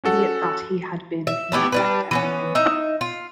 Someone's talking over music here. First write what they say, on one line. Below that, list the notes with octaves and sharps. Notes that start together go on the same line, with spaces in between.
Idiot that he had been, he had wrecked everything!
C#4 F#4 A4 F#5
E5
A3 B3 E4 G4
G3 D4 B4
E3 B3 C#4
D#4 E5
F4